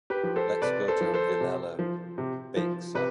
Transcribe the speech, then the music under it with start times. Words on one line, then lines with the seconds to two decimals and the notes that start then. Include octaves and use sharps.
Let's go to la Vilella Baixa.
0.10 G4 B4
0.23 F3
0.36 A4 C5
0.62 C3 B4 D5
0.88 A4 C5
1.01 F3
1.14 A4 C5
1.41 C3
1.79 F3
2.18 C3
2.57 F3
2.95 C3 B4